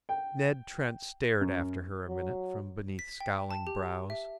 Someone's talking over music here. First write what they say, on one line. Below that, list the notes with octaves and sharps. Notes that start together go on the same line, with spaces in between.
Ned Trent stared after her a minute from beneath scowling brows.
G5
F#2
F#3
B6
G5
A5
G4
E5